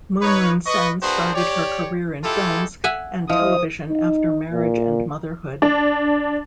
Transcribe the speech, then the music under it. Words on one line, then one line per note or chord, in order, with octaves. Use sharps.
Moon Moon Sen started her career in films and television after marriage and motherhood.
D#4 B4 C#5
B4 D#5 C#6
A#3 D4 F#4 G#4 B4 C5
G4 C#5 D5
G#3 E4 F4 G4 A4
E5 F#5 G#5
F3 E4 C5 D#5 F5 D#6
D#4
A#2
D4